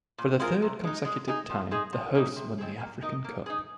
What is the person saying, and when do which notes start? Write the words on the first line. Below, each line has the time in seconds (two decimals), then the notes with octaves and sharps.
For the third consecutive time the hosts won the African Cup.
0.18 A#2
0.40 G#3 F4 A#4
0.62 C3
0.84 G#3 D#4
1.05 G#3
1.28 D#4 G#4
1.49 F3
1.71 C4 D#4 G#4 D#5
1.93 F3
2.15 A#3 D#4
2.36 C3
2.58 D#3 C4 G#4
2.80 A#3
3.02 D#4 A#4 D#5
3.24 A#3
3.46 D#4 G#4